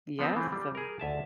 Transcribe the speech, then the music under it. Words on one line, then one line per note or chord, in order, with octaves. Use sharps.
Yes, it's a v
F3 B3 C4
E3 A3 C4
G3
G#4 A#4
D2 E5 A5